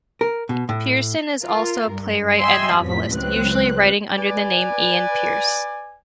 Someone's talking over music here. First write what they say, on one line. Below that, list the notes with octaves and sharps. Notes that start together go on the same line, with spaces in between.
Pierson is also a playwright and novelist, usually writing under the name Ian Pierce.
A#4
B2
A2
F4 A#4
G2
D#5 E5 G5 G#5 C6 E6
A1 F2 A2 F3 F#3 B6
C#2 F#3 C4 B4 F#6
B4 D5 G#5